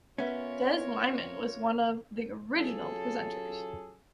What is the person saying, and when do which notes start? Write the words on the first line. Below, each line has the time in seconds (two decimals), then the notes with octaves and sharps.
Des Lynam was one of the original presenters.
0.18 B3 C#4 F4 A#4 B4 C#5 E5 B6
2.55 F#3 C#4 F4 G#4 A4